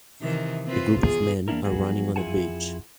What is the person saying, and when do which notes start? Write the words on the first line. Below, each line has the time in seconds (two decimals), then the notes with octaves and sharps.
A group of men are running on a beach.
0.21 C3 D#3 E3
0.65 C4 F4 B4
1.01 E2 G#4
1.48 E2 A#3 D4 E4 A#4
1.64 F3 F#3 B3 F#4 G#4
2.16 F2 E4 F4 G#4 F#5 A5